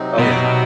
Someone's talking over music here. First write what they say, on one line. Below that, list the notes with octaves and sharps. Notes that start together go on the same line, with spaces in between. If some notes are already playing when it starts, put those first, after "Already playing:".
Oh, yeah.
Already playing: C3 F#3 C4 D#4
B2 B3